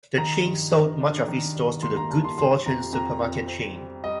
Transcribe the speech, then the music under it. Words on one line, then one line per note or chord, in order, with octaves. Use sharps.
The chain sold much of its stores to the Good Fortune Supermarket chain.
D#3 A#5
G2
D#3
D4
D#3
G2
A#3 C6
A#5
G2 A5
C6
G3 C6
F2 A#5
F2 A#5
F2
C4
G3
G3 D#5